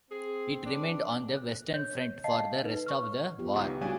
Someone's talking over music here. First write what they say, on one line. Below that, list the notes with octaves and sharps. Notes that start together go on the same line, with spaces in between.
It remained on the Western Front for the rest of the war.
C4 G#4
D4
F#6
C#5 G6
D#5 F5 A5 C7
D#4 B4
C#5 C#6 F6
B3 F4 G4
C#2 D#3 C#6
C#3 G3 D4 F#4 G#5